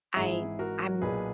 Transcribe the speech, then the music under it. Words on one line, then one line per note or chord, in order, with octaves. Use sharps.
I I'm
G#1 G#2 E3 E4 G#4
F#4 A#4
B1 A#2 F#3 G#4 B4